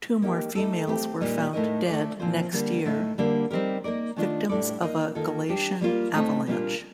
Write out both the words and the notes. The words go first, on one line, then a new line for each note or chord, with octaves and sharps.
Two more females were found dead next year, victims of a Galician avalanche.
A#3 D#4 G4
A3 D#4 A4
A3 C4 G4
A#2 G3 A#3 D#4
A2 A3 D#4 A#4 D#5
A3 D4 A4 D5
A#2 F3 C4 F4 C5
D3 G3 A#3
A2 A3 D#4
D3 G3 A#3
G3 C4 D#4 G4 A#4
A#3 D#4 A#4 D5
D#3 A3 D4 F4
A2 G3 D4 A4 D5
A#3 D#4 A#4 D#5
D#3 A#3 F4 A4
G3 D4 G4
G3 A#3 D4 F4 A#4
A2 A3 C4 D#4
A#2 G3 A#3 D4 F4